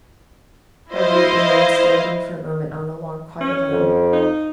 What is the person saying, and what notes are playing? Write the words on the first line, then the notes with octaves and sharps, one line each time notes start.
Marguerite remained standing for a moment on the lawn quite alone.
E4 C5 D#5 F5
C#4
F2
D#4